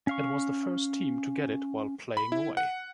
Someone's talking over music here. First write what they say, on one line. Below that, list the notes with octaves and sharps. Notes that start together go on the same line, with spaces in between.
It was the first team to get it while playing away.
C#4 F5 C#6
B5
E4
F#5